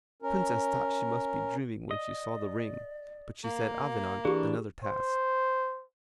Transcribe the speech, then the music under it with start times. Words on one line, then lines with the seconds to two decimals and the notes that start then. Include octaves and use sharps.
The Princess thought she must be dreaming when she saw the ring, but she set Avenant another task.
0.22 C#4 A#4
1.91 D5 D#5
3.44 A#3 F5
4.25 E3 D4 G4 G#4
4.84 C5